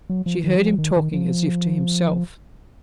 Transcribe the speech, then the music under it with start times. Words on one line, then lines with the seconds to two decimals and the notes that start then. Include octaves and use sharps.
She heard him talking, as if to himself.
0.10 F#3
0.26 F3
0.44 D#3
0.56 F#3
0.62 F3
0.78 D#3
0.96 D#3
1.13 F3